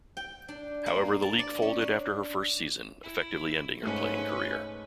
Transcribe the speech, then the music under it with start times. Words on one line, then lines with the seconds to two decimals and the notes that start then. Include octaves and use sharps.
However, the league folded after her first season, effectively ending her playing career.
0.17 G5
0.48 D4
0.86 A#3
1.22 A5
1.39 D5
1.62 C#4
1.81 D4
3.03 E4
3.83 G#2 A3 C#4 B4